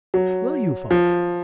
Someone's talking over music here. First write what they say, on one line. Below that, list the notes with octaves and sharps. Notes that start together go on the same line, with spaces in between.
'Will you, father?
F#3
F3